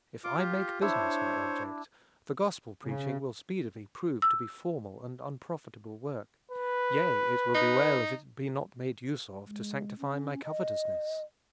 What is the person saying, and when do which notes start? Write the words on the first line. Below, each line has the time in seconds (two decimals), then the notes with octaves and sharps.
If I make business my object, the gospel preaching will speedily prove to be formal and unprofitable work; yea, it will be well if it be not made use of to sanctify my covetousness.
0.24 F4 D6
0.38 F4 G4
0.82 D4 E4 C5 C#5
2.87 C#3
4.22 E6
6.52 B4
7.54 D#4
9.46 G#3
9.99 C#4
10.44 D#5